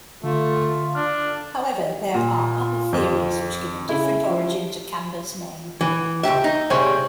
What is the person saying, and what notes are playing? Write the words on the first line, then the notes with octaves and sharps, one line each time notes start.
However, there are other theories which give a different origin to Cambre's name.
D3 A3 F4
D4 F6
A#2 F4
F2
C#3 E4
F3
E3
C#2 F#2 G4 E5
D#4
G2 C3 G3 G#3 C5 C#5